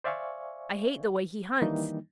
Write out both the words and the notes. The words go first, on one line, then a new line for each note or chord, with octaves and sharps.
I hate the way he hunts!
C5 D5 E5 F5 G#5 C#6
D#3 E3 G3 A#3 D4 D#4